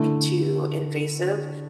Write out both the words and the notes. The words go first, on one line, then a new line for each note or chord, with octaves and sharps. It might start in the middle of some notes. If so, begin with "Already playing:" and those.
too invasive,
Already playing: D3 A3 E4